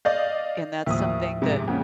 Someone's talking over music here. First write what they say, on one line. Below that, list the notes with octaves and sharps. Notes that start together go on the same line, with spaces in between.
And that's something that
D5 D#5 F5 G6
D#2 A2 F3 E5 D#6
G#2 C3
F2 C#3 A#3 F#5